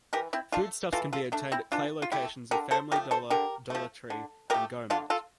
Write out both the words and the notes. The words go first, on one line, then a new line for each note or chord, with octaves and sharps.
Foodstuffs can be obtained at Clay locations of Family Dollar, Dollar Tree, and Go-Mart.
E3 G4 A#4
C4 E4
A3 D4 F4
E3 F4 A4
F4 A4
A3 D4
C4 E4
E3 D4 F4
F4
A3 E4 G4
D3 G4 A#4
A4 C5
F3 A3 G4 A#4
A4 C5
D3 G4 A#4
F3 A3
D3
F3 A3 G4 A#4
D3 D4 F4
F4 A4